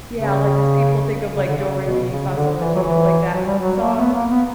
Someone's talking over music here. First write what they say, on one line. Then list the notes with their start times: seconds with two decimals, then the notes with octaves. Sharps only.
Yeah, like, 'cause people think of like Do Re Mi Fa So La Ti Do, like, that song,
0.14 C#3
1.36 C#3
1.47 D3
1.58 C#3
1.84 B2
2.10 C#3
2.34 D3
2.59 E3
2.75 F#3
2.83 E3
3.32 F#3
3.45 G3
3.59 F#3
3.81 A#3
3.98 B3
4.14 A#3
4.30 B3